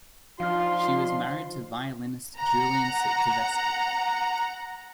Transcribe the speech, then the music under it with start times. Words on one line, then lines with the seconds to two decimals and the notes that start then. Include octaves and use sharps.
She was married to violinist Julian Sitkovetsky.
0.40 F3 D4 D#4 F4 F5 C6 F6
2.38 F#5 A#5